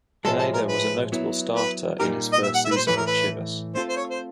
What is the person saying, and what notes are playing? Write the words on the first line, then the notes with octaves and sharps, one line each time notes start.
Pineda was a notable starter in his first season with Chivas.
A2 F3 G#3 A4
A4
A#4
B4
F#3 B3 E4
B4
A#2 G3 A#3 D#4 G4 A#4
D#5
E5
F#5
E5
B4
C5
A2 E3 A3 B4
A#4
B4
A3 C4 F4 A4 C5
C5
C#5
C5